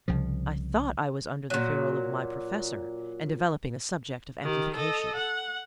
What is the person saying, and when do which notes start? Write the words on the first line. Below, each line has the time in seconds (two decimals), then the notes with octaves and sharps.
"I thought I was under the ferule of my professor, and developing a subject of amplification."
0.08 C2 C#3 F3
1.50 A#2 F#3
4.43 D#3 G4
4.75 A4 D#5
5.16 F#5